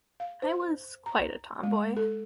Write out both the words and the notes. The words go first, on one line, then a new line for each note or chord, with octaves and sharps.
I was quite a tomboy.
F5
C5
A#5
G#3
A4